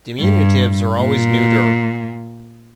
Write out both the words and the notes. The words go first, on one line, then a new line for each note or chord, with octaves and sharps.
Diminutives are always neuter.
G2
A#2